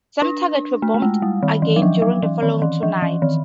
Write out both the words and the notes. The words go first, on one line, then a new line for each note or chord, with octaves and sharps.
Some targets were bombed again during the following two nights.
D4
A3
A3
G#3
G3
D#3
E3
F#3
F3
F#3
E3
D#3
E3
F3
E3
D#3